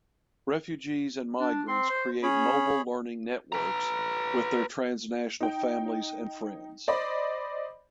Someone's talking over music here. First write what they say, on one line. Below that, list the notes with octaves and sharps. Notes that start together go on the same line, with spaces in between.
Refugees and migrants create mobile learning networks with their transnational families and friends.
D4
C4 C6
C5
C#4 G#4 C#5 B5
B4 A#5
D#4 G5
C5 D5 D#5 B5